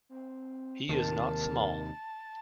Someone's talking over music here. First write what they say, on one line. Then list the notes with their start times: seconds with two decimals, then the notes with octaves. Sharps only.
He is not small.
0.09 C4
0.89 D#2 C3 D#3 A#4 A5